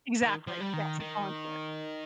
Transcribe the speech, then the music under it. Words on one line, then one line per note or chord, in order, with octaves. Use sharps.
Exactly, yes, it's voluntary,
D#3
F3
G3
D#3
D#3